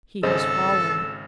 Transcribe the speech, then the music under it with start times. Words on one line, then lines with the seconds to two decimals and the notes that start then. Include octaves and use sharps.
He has fallen.
0.23 G#1 C#3 G#4 A4 C5 D#5 E6